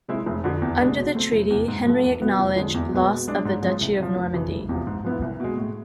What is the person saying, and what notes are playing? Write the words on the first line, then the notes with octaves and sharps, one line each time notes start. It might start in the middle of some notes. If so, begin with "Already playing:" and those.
Under the Treaty, Henry acknowledged loss of the Duchy of Normandy.
C3 G#3 C4 E4
F1
F2 D3
E2
C3 G#3 D4
B2
A3 C4
F1
E2 C3
G#2
F3 B3 F4 A4
E2
B2 B3
F1
F2 D3 G#3
E2
B2 G#3 B3
B2
G#3 D4
G#2
F3 G#3 C4
C2
C3 F3
F1
F2 C3 E3
E1
E2 C3 F3
G#2
F3 B3 E4
C2
B2 G#3
A2